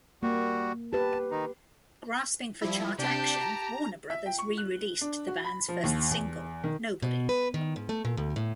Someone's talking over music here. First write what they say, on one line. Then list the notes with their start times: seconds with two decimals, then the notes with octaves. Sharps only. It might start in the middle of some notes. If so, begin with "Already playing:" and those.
Grasping for chart action, Warner Brothers re-released the band's first single, "Nobody".
0.23 G3 A#3 F#4
0.93 G4 B4 A5
1.31 D#3 D#4
2.62 F3 G3 E4
2.99 C3 D4 G4 A5 G6
3.41 A#5
4.10 E5
4.26 G5
4.39 C#6
4.58 F#6
5.01 D4
5.27 F#4
5.44 B5
5.68 F3
5.84 D#2
6.11 E2
6.64 D#3
7.02 B2
7.29 B4
7.54 D#3
7.76 G#2
7.89 A3
8.05 A#2
8.17 D2
8.36 A2